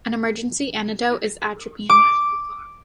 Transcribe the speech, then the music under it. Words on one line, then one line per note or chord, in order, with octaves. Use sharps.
An emergency antidote is atropine.
D6